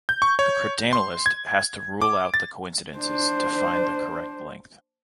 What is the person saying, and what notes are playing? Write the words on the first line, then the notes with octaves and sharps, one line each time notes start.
The cryptanalyst has to rule out the coincidences to find the correct length.
G6
C#6
C#5
C6
G#6
D6
A6
D4 C5